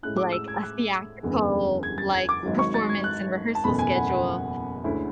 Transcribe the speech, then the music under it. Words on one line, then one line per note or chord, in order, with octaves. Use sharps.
like, a theatrical, like, performance and rehearsal schedule,
A2 G#3 C#4 E4 F#6
D6
E6
G#6
F#6
F#1 E2 D3 G#3 B3
G#6
A6
G#6
D6
G#1 G#2 F#3
C#6
A6
G#6
F#6
A5
F#1 E2 B2 A3 B5
G#5
F#5
F#5
D2 D3 G#3 C#4 E4